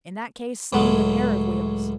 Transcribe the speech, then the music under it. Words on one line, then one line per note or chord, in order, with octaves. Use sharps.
"In that case, sell me a pair of wheels."
C#2 A2 F#3 G#3